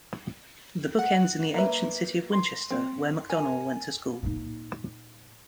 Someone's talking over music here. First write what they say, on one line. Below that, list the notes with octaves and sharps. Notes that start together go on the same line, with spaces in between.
The book ends in the ancient city of Winchester, where Macdonell went to school.
F#5
A#3 B4 E5
C6
C4
A#4 G#5
A#2 D#4